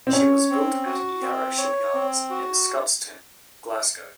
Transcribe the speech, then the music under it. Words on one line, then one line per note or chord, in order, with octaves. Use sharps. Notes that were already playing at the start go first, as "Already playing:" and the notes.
She was built at Yarrow shipyards in Scotstoun, Glasgow.
C4
C#4 C#5
C4
F#4
C4
C#5
C4
F#4